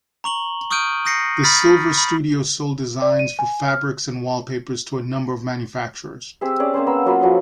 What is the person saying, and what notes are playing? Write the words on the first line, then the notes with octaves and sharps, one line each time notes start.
The Silver Studio sold designs for fabrics and wallpapers to a number of manufacturers.
A#5 C#6 F#7 G7
C#6 D#6 F6 G6 D7 D#7
D#6 G6 A#6 C7 C#7
B5 D#6 F6 A6 B6
B5
D5
D#7
G#5
F6
C4 G4 G#4 E5
C#4 G#4 D5 E5
A#3 C4 C#4 C5
A#3 B3 A#4 E6
F#3 A#3 F4 B4
F3 F#3 A4 D#5